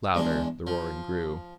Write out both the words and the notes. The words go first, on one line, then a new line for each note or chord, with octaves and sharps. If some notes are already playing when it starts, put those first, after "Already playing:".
Louder the roaring grew.
E2 G#3 D4
F3